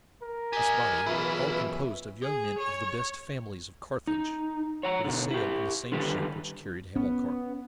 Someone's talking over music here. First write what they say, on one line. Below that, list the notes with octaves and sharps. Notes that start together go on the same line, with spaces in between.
This body, all composed of young men of the best families of Carthage, were to sail in the same ship which carried Hamilcar.
A#4
G4 D#5 G#5
F#2 B2 E3 C#4 E4 F4 G#4 B4
G#4
C#5
D#4
C#5 F#5 A#5
B2 D3
E4 G4
D3 D#3 G3 G4 B4
B3 C#4